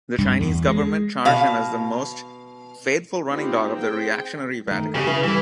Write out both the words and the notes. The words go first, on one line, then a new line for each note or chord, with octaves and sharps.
The Chinese government charged him as the most faithful running-dog of the reactionary Vatican.
G2
E2
G#3
B2 F5
A#3 C4 D#4 F4 G4 B4
G#4 C5 G5
D#3 A3
C#3 G4
E4 B4
E3 G3 A4